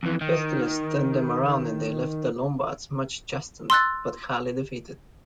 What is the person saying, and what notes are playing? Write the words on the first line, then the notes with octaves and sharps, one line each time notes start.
Pestilence turned them around and they left the Lombards much chastened, but hardly defeated.
F2 E3
D#3
C6 E6 F#6 A6